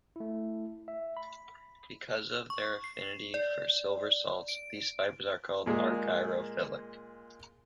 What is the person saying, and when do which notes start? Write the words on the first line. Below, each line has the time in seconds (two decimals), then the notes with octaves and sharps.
Because of their affinity for silver salts, these fibers are called argyrophilic.
0.16 A3 E4
0.88 E5
1.17 B5
2.50 C#6
2.84 C7
3.34 D5
4.48 D7
5.66 A#2 G#3 A#3 G#4